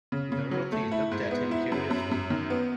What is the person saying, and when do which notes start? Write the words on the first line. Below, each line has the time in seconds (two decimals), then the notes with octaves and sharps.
Dorothy looked at him curiously.
0.12 C#3
0.32 C#3
0.51 F#3
0.72 A3
0.92 E4
1.11 G#2
1.31 B3
1.51 E4
1.72 F#2
1.91 F#2
2.11 F#2
2.30 D#3
2.50 B3